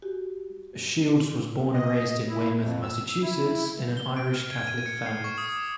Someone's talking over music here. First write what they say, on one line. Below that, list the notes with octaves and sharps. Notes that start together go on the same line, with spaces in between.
Shields was born and raised in Weymouth, Massachusetts, in an Irish Catholic family.
F#4 G4
D#5
E4
F2
E6
E4
G7
D7
F6
G#6
D#7
C#7
C7
C#6
D#6
D6